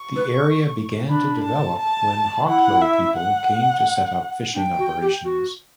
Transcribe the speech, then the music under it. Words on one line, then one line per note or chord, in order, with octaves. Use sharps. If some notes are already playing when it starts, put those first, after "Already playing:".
The area began to develop when Hoklo people came to set up fishing operations.
Already playing: C#6
B4
D4 B5
A5
A5
E4 F#5
E5
F#5
D4 G5
F#4
G4
F#4